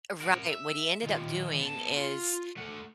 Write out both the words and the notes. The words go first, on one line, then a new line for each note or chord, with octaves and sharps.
Right. What he ended up doing is,
A#4 F#5
E5
D#3 F4
B3 A5
F4
A3 F#5